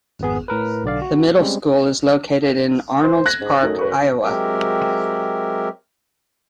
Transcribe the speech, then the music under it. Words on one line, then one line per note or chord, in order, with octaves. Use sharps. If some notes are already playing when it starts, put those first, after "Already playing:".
The middle school is located in Arnolds Park, Iowa.
G#1 F2 B3 G#4
A2 A#4 B4
B1 D3 D5 F5
F#4
G3 G#3 C4 C#4
C5
F#6 G#6 A#6
G#2
F#2 A3 D#4
B4 C#6
F#3 G#3 C4 G4 A#4 E5